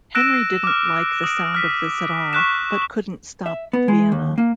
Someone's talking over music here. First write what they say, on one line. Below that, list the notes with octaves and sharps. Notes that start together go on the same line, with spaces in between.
Henry didn't like the sound of this at all, but couldn't stop Vienna.
E6 F#6 A#6 D7 E7
D6 F6
D#6 D7
F6 B6 D#7
C#6 F6 F#6 B6 E7
E5
B3
G#3
D#2
A#3